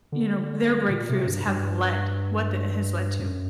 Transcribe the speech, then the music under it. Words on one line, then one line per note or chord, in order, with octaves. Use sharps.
you know, their breakthroughs have led, what th it has led to.
D3
A#2
C3
G2
G2
F#2